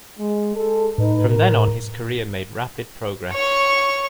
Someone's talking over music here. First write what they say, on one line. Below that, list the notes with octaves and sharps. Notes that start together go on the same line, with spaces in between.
From then on, his career made rapid progress.
G#3
G#3 G#4 A4
A2 D#4 B4
A#4
C#5 C#6